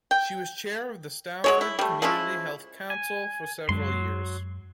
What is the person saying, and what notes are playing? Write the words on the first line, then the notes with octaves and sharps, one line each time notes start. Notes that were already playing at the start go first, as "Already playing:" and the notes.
She was Chair of the Salford Community Health Council for several years.
G5
F#3 G#3 C#5
E4
G3 A3
F3 G#3 C#4 E4
G#5
F#2 F#3 G#3 C6